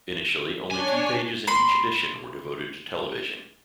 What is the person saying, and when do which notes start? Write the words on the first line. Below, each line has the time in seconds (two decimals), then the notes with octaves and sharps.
Initially only two pages in each edition were devoted to television.
0.71 D4 C#5 G#5
1.47 B5 C6